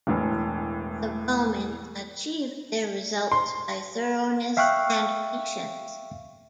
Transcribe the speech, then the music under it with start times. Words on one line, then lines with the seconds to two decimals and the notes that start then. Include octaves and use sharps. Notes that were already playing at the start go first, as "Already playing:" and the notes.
The Romans achieved their results by thoroughness and patience.
0.07 E1 A2 E3
3.32 C6
4.57 E5 F5 G5 C#6 F6 F#6